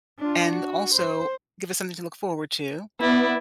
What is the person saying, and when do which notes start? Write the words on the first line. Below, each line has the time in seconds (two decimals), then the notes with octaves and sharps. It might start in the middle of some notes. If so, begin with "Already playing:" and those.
and also give us something to look forward to
0.19 D4 F4
0.49 F#4
0.94 C5
3.00 B3 E4 D5